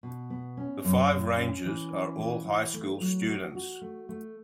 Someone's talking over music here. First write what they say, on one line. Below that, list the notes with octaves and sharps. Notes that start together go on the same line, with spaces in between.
The five rangers are all high school students.
B2
B3
C#4
F#2
C#4
C#4
E3
C#4
E3
E3
A3
F#3
F#4
F#4
A3
A3